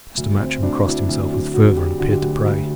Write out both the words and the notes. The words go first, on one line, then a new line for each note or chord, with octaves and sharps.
Master Matcham crossed himself with fervour, and appeared to pray.
D2
D2 C4
D2 D4
F#4
D2 E4
D2
F#3
F#3 F#4
F#3 G4
D3 F#4
G4
D2 F#4
D2